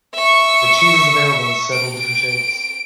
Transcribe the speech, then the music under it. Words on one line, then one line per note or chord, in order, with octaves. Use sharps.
The cheese is available in several different shapes.
E5 C#6
D7